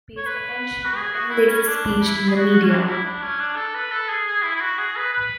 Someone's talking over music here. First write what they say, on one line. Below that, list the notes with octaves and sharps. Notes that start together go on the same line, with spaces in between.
It pays attention to any racist speech in the media.
C#5
B4
F#4
G#4
F#4
E4
C#4
D4
E4
G#4
F#4
F#4
C#4
D4
E4
D4
C#4
D4
A4
B4
A4
G#4
G#4
E4
E4
F#4
G#4
B4
B4